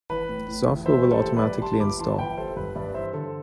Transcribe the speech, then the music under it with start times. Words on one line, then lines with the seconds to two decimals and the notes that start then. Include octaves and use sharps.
Software will automatically install.
0.10 E3 B4
0.29 A2
0.48 A2
0.67 A1
0.86 E3 C5 E5
1.04 G3
1.11 A4 C5
1.24 A1
1.37 B4 D5
1.43 G3
1.62 G3 A5 C6
1.80 G1 B5 D6
1.99 E3 A5 C6
2.19 G1 G5 B5
2.37 G3 A4 C5
2.56 G2 B4
2.75 G2 B4 D5
2.95 E3 C5 E5
3.13 D3 A4 C5